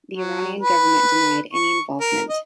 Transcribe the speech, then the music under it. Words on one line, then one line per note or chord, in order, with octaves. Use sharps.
The Iranian government denied any involvement.
F#3
B4
C#6
A#4
D#5